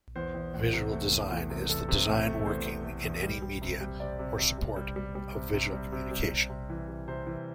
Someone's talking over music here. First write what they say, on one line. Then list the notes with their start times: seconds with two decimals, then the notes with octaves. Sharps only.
Visual design is the design working in any media or support of visual communication.
0.16 E2 C5
0.34 E2
0.54 E2
0.73 C3
0.93 A3
1.11 E2
1.31 E2
1.50 C3
1.70 E2 A4
1.89 C3
2.08 A3
2.27 A3
2.40 A4
2.46 E2 C5
2.66 C3
2.85 A3
3.04 E2
3.23 G3
3.42 G3
3.62 C3
3.81 G3
4.00 C3 D5
4.19 C3
4.39 C3
4.58 C3
4.76 G3
4.96 G3
5.15 G3
5.34 C3
5.54 C3
5.73 G3
5.92 C3
6.11 G3
6.31 C3
6.49 C3
6.70 E3
6.88 C3
7.08 C3 C5
7.27 E3